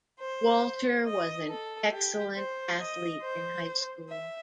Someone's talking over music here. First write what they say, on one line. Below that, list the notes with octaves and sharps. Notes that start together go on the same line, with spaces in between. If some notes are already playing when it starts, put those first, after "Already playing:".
Walter was an excellent athlete in high school.
C5
D#5
A4
G4
C5
D#5
C5
E5